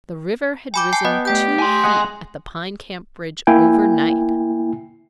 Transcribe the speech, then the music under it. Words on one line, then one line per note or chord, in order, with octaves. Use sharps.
The river had risen two feet at the Pine Camp bridge overnight.
G5 G#5 B5 D6
G#5 A5 C7
B3 D#5
A3 G4 G5 G6
G#5 C6
G#4 D#5 F#5
A#3 E4 G5 G#5